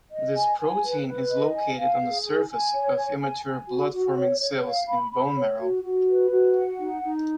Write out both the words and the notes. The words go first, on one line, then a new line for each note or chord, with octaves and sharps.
This protein is located on the surface of immature blood-forming cells in bone marrow.
D#5
G#5
G#5
B4
B4
D#5
G#5
F5
G#4
G#5
G#5
C#5
G#5
G#5
G#5
F#4
F#4
C#5
C#5
F5
B5
B5
C#5
F#4
F#4
B4
F#4
F#5
D#4
D#4